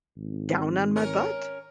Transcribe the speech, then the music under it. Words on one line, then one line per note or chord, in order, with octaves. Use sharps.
down on my butt.
G#1
C#4 A#4